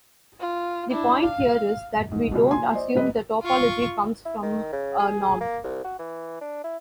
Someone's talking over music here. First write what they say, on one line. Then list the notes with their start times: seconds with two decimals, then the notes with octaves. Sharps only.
The point here is that we don't assume the topology comes from a norm.
0.40 F4
0.91 D4 E4
1.25 F5
2.12 G#2
2.32 C#2 F#2 B2
2.50 A#1 G#5 C6
2.74 C5 D5 D#5
2.95 D#1 G3 B4 D#5
3.42 F4 C#6
4.25 E4
4.42 D#3
4.73 C#3
4.99 G#4
5.40 A#3
5.64 C2
5.84 F#4
5.99 E3
6.41 D4
6.64 E4